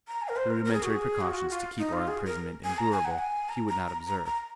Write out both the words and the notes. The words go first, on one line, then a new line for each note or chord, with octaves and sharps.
The rudimentary precautions to keep our imprisonment endurable he would not observe.
A#5
G#5
A#4
C5
A#4
A#4
G#4
F#4
G#4
F#4
F4
F#4
F4
D#4
F4
G#4
A#4
G#5
A#5
G#5
F#5
G#5
A#5
A#5
A#5
A#5
A#5